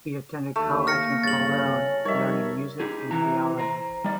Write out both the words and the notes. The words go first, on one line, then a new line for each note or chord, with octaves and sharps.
He attended college in Cologne, learning music and theology.
D#2 A3
A#3 F5 F6 A#6 C#7
G1 C#3 A6 F#7
C#5 G#5
F2 G3 D#4 A#4 C#5 E5
D#4 G4 G#4
C3 E3 A#5
C5 A#5
G3 D#4 D5